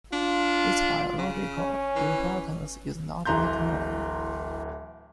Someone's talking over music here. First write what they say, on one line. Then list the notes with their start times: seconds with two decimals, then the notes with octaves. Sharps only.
Its biological importance is not yet known.
0.13 D4 F4
1.18 C#3
1.58 C#4
1.96 E3
3.25 D1 E3 A#5 C6 G6